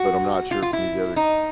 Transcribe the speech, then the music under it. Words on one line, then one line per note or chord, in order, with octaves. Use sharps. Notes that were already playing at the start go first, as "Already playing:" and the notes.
but I'm not sure if any of the other
Already playing: F#4
F4
F4
E4
D#4